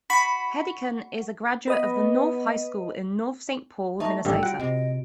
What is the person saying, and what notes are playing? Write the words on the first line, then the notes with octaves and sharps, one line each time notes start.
Hedican is a graduate of North High School in North Saint Paul, Minnesota.
F#4 B5
B3 B4 D#5
A3 D#4 E5 A5 C#6
A1 G2 D3 G3 G5 E6
F4 F#4 F#5 D7
C3 D#5